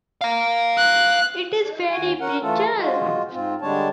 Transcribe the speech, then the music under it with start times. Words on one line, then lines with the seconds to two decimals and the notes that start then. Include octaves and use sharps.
It is very brittle.
0.21 F5 A#5
0.78 F#6
1.89 D#2 F#4 G#5
2.20 C#4 A#4 F#5
2.41 E3 A3 F4 A4
2.78 G#3 F4 F#4
3.31 G#2 C4 F4
3.61 D3 G3 G#3 D4 C#5 A5